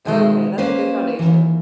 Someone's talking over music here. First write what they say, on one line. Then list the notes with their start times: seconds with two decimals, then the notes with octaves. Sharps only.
Okay, that's a good foundation.
0.05 B2 D#3 G#3 C4
0.58 A#3 C#4 B4 C5
1.19 D#2 E3